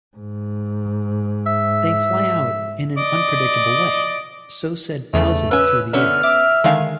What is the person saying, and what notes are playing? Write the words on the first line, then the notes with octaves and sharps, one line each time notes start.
They fly out in an unpredictable way; so-said buzzing through the air.
G#2
E5
D5 D#5
E2 C#3 E3 A3
C#4 B4 G#5 E6
D3 B3 C#4 E5 F6
E5 D6
D3 D#3 G#3 F5 G#5